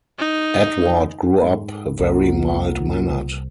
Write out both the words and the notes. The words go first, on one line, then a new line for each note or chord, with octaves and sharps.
Edward grew up very mild-mannered.
D#4
G#2
C2 A#3 F4 F#5